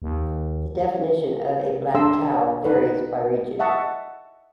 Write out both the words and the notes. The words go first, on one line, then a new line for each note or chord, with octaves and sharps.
The definition of a black cow varies by region.
D#2
D4 A4 C6 E6
C#5
D#4 B4 F#5
D#5 E5 F#5 A5 C#6